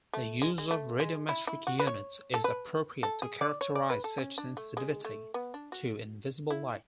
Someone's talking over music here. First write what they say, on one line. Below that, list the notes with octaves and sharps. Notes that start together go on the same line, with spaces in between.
The use of radiometric units is appropriate to characterize such sensitivity to invisible light.
A3
G#3
G#3
A3
G#3
E4
E4
F#4
B4
C#5
A4
B4
A4
G#4
D5
C#5
D5
B4
A4
C#4
D4
A3
G#3
A3
B3
D4
F#4
E4